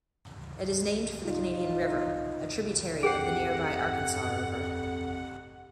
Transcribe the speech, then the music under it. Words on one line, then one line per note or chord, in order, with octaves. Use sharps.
It is named for the Canadian River, a tributary of the nearby Arkansas River.
D#4 F4
F2 G4 G#4 F#5 G5 C7